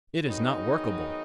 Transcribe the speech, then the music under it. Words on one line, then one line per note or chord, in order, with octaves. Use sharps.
It is not workable.
D#3 F#3 B3 D#4 G#4